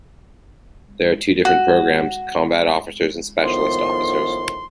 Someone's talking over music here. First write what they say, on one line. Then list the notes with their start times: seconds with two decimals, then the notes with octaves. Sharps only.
There are two different programs, combat officers and specialist officers.
1.45 F#4
3.44 A2 D#3 F3 B3 C6